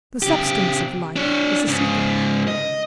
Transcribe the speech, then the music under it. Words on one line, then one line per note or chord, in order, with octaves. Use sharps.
The substance of life is a secret.
C#3 G4
D4 C#5
G#2 C#3
D#5